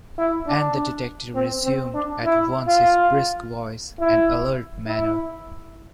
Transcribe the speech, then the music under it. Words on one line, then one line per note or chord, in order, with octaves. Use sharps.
And the detective resumed at once his brisk voice and alert manner.
E4
D4
C4
C4
D4
E4
F4
E4
E4